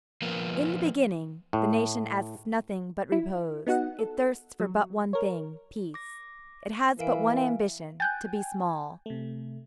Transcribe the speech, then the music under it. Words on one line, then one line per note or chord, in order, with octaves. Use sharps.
In the beginning, the nation asks nothing but repose; it thirsts for but one thing, peace; it has but one ambition, to be small.
F3 A#3 B3 A#4
A2
E4
B3 D#4 F#4 F#5
A4
F#3
A#4 C#5
D6 A#6
E3 A#4 F5 D7
G5 G#5 F#6 G6 A6
C3 A3